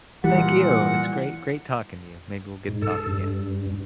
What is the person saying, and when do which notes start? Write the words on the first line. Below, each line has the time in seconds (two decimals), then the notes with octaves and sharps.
Thank you. It was great great talking to you. Maybe we'll get to talk again.
0.24 A#2 E3 G3 F#5
2.68 G#2
2.82 A4
3.06 G2